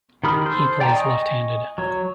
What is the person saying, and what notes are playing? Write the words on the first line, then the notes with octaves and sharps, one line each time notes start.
He plays left-handed.
D#3 G4 B5 D#6 F6
A4 C5
D5 G5 G#5 A#5
D#5 G#5 C#6 D#6
F#3 C#5